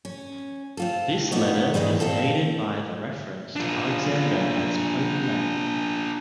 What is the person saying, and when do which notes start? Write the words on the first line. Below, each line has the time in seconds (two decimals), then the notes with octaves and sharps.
This letter is dated by the reference to Alexander as "Pope-elect".
0.05 C#4
0.77 C4 F4 A4
1.32 A#3 B3 D#4 C#5
1.74 G#2 E3 G3 G#3
2.00 A#2 A#3 C4 A4
3.56 D4 F4